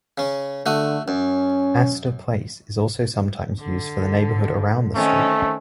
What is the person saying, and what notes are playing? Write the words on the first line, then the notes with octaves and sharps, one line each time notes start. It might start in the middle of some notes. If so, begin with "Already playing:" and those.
"Astor Place" is also sometimes used for the neighborhood around the street.
C#3 C#4
D3 A3 F#4 D#6
F#2 C#4
D3
D#3 A3 C4 C#4